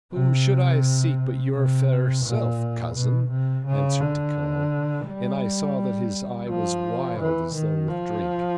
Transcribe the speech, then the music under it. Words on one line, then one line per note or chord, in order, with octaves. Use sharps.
"Whom should I seek but your fair self, cousin?" answered Tikal--and I saw that his eye was wild, as though with drink.
C3
C3
A#2
B2
C3
C#3
D3
G3
F3
E3
D#3
F3